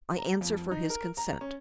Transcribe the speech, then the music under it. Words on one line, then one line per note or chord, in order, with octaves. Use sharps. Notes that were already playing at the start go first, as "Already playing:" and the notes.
"I answer for his consent."
A#5
F2
D#4
A#4
A#5
C#4